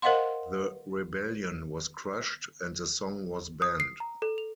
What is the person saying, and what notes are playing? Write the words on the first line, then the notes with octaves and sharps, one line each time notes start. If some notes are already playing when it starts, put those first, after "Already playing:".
The rebellion was crushed, and the song was banned.
A#4 C5 D#5 F5 F#5 C6
D#6
C7
A#5
A4
F7